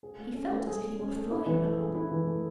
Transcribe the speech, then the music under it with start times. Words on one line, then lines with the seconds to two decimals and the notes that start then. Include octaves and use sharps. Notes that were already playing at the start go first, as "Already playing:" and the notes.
He felt as if he were flying along.
0.03 G#4
0.19 A3
0.34 C#4
0.50 A3
0.67 G#4
0.82 A3
0.99 C#4
1.15 A3
1.31 E4
1.46 E3
1.63 A3
1.79 G#4
1.95 E4
2.11 E3
2.27 A3